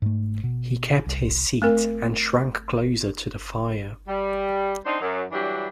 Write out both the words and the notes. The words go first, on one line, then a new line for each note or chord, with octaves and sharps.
He kept his seat, and shrank closer to the fire.
G#2 A3
B2
C2
A3 C4 A#4
G3
C4 D4 D#4 C5
F#2
E3 F#3 G3 D4